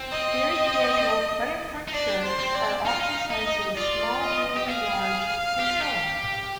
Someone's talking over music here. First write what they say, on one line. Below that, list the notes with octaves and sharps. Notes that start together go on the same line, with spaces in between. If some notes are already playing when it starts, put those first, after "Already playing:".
Very casual button-front shirts are often sized as small, medium, large, and so on.
Already playing: C4
D#5
D#4
D4 D5
C5
C4
D5
D#4 F5
F4
D#4
D#4 D#5
F4 D5
D#5
G4
G#4 F5
G4
F4
G4